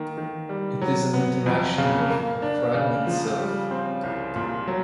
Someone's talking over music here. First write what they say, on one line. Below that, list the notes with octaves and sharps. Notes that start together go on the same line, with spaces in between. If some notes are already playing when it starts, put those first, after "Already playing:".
It is an interaction with a fragment self.
Already playing: D#3 A#3
D#3
G3
F#3
B3
F2
C#3
A#3
D4
C#3
F3
G3
C4
C2
A#2
F#3